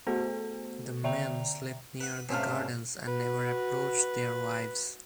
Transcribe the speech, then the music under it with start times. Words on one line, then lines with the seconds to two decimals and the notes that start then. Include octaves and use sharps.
The men sleep near the gardens and never approach their wives.
0.07 A3 B3 F#4 A4 C5
1.04 D3 D5 E5 G5 A#5 F7
2.00 B4 F#5
2.29 C#2 G#2 C3 A3 F4 F5
3.08 F#4 B4